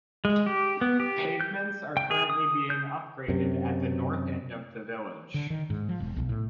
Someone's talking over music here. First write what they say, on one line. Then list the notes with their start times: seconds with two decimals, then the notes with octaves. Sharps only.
Pavements are currently being upgraded at the north end of the village.
0.25 G#3
0.46 G4
0.81 B3
1.00 G4
1.41 G6
1.97 G5
2.11 G#4
2.30 D#6
2.70 G6
3.28 F#2 C3
5.34 D3
5.50 D#3
5.70 G#2
5.89 F3
6.00 E1
6.16 B1
6.29 A2